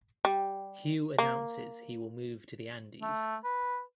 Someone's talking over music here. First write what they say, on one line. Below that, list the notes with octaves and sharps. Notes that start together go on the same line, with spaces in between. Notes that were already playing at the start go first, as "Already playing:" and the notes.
Huw announces he will move to the Andes.
G3
A#3
A3
B4